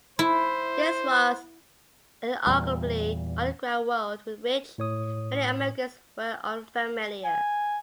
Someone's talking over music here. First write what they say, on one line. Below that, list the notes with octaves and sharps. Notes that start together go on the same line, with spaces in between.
This was an arguably underground world with which many Americans were unfamiliar.
E4 C5
E2 A#2 G3
A2 C#5 D#6
G#5